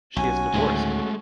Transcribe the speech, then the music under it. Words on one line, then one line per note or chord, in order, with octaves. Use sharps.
She is divorced.
B1 C#4 F#4 G#5
D2 A2 D#3 G#3 A3